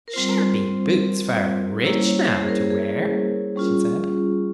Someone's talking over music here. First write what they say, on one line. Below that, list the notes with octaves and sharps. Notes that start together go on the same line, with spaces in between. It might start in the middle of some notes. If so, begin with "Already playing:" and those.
"Shabby boots for a rich man to wear," she said.
A#4
G3 C4 F4 C5
C5
G3 A#3 C#4 E4 C#5
C#5
C5
G#4
A#4
G#4
G3 C#4 F4